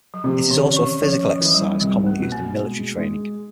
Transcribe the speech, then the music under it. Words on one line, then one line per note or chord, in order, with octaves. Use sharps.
It is also a physical exercise commonly used in military training.
F#3
C3 F3
D#3
C#4
E3
F3 C#4
F#3
E3 F3
F#3
G3
C2 G3
A3
B2 A3
A#3
G#3
G#3